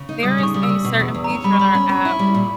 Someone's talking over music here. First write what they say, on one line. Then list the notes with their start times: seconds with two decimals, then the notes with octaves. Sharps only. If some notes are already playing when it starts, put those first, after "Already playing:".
there is a certain feature on our app,
Already playing: C#3
0.09 D#4
0.23 G3 D#6
0.38 C#3
0.43 C#6
0.54 G3
0.63 E6
0.69 C#3
0.84 B2
1.00 E2
1.15 E2
1.24 A#5
1.30 C#4
1.44 G3 B5
1.53 C#6
1.59 G3 B5
1.74 C#4
1.89 C#4
2.05 E4
2.19 G3
2.35 A#2